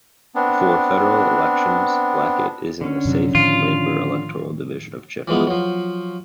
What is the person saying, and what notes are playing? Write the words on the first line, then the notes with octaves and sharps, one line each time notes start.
For federal elections, Blackett is in the safe Labor electoral division of Chifley.
B3 C4 D4
D3 C#4
F#2 C3 F#3
A2 D#3 F3 F4
E3 F3 G#3 B3
F3 F#3